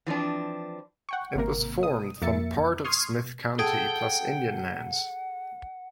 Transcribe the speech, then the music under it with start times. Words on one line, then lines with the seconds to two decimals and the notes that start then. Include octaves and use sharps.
It was formed from part of Smith County plus Indian lands.
0.06 E3 F3 C4 D4
1.09 F#5 G5 C#6
1.35 G#1 C3 A#3 A#4
1.83 D#6
2.22 F2 A#3 E5 A6 C#7
2.85 C6 C#6 D#6 F6 G#6 C7
3.59 G#4 A4 F#5 G5